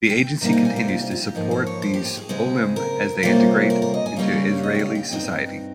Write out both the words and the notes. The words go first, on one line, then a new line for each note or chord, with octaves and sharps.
The Agency continues to support these "olim" as they integrate into Israeli society.
G5
C3 G3 A#3 D#4 A#5
G#5
G#5
C5
F4
G4
F4
G4
G#2 F3 A#3 G#4
C5
C#5
C5
G4
G4
G#4
C#3 G#3 C4
A#4
C3 G3 A#3 C#4 F4 C5
A#4
A#4
D#5
G#5
C#3 G3 A#3 C#4 F5
D#5
G5
F5
G5
G2 F3 C4 D#4 G5